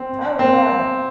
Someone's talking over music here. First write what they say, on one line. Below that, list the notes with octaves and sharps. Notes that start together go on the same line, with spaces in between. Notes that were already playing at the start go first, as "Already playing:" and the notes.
Oh, yeah.
Already playing: C4
C4